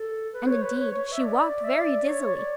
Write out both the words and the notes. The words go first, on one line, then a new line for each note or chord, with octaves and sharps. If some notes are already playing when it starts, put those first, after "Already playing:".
And indeed, she walked very dizzily.
Already playing: A4
B4
C#5
B4
C#5
C#5
E5
D5
D5
E5
D5
D5
C#5
C#5
D5